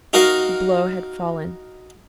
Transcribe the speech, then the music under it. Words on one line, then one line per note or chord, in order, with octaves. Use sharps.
The blow had fallen.
D#4 F#4 A#4 D#5 F5